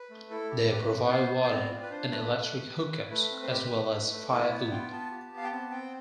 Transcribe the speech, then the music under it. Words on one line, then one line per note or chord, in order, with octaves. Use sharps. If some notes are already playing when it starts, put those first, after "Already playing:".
They provide water and electric hookups as well as firewood.
Already playing: B4
A3
E4 A4
G4
G4 B4
C4
B4
B3 C5
B3
C5
C4 D5
F4
B4
D4 C5
A3 B4
A3
G4
G4
E4
A3 B4
C4
C5
G4 B4
A3
A3
A3
E4 B4
B3 D5
F4 G5
B3 A5
G4
B3
F5
G5
C4 A5
C4 G5